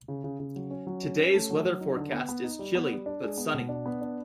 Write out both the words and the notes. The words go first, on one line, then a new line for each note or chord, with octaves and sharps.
Today's weather forecast is chilly, but sunny.
C#3
C#3
C#3
F#3
C#4
F#3
C#4
C#4
A3
F#3
F#3
D#4
D3
B3
B3
D#4
G3
B3
G3
D4
G#3
B3
B2
D4
B3
D4